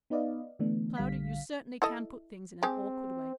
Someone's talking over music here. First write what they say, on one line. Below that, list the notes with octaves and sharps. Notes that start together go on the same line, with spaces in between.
Cloudy, you certainly can put things in an awkward way.
B3 D#4 B4 D5 D#5 F5
D3 E3 A3 B3 D4
A#1 D3 G3 F5 B6
E4 A4 D#5
G#3 C4 G4